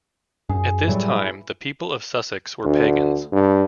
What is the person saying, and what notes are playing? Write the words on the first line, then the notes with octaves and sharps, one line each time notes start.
At this time the people of Sussex were pagans.
F#2 G#4
A2 F#3 G3 E4 B4
D2
G2